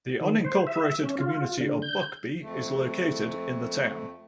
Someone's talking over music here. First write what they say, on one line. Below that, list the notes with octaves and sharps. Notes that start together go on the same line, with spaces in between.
The unincorporated community of Buckbee is located in the town.
D#3
C5
E5
C#4
F4
D3
G6
F2 A3